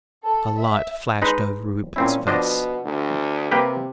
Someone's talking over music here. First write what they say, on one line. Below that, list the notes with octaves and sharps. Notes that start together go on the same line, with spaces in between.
A light flashed over Rupert's face.
A4
E5
G#3 D#4 B4
A#2 C4 C#4 E4
B2 F3 D4 D#5
D2
C3 A#3 G4 B4